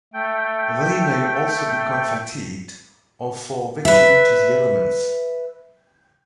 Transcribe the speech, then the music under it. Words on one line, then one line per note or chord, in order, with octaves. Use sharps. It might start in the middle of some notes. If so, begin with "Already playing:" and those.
They may also become fatigued or fall victim to the elements.
A3 G5
B4 E5